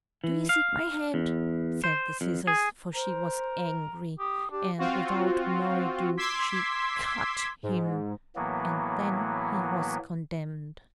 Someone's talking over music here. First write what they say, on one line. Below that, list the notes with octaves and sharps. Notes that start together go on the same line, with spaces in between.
"Do you seek my hand?" said the scissors; for she was angry; and without more ado, she CUT HIM, and then he was condemned.
E3
F5
E2
C5
F2
G#4
A#4 C5
G4 D#6
D4 G4
C4 F4 F#4
C6 D6 E6 G#6 B6
G#2
A2 E3 F#3 A#3 B3